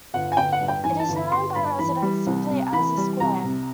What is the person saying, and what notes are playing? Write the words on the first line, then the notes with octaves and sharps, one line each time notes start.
It is known by residents simply as "the Square".
G1 F#5
G#5
G1 G5
F#5
G2
G5
E3 G#5
A5
G1
B5
G1 C6
G2 B5
E3 B5
G3
C2
C3
E3 B5
G3
C2 A#5
C3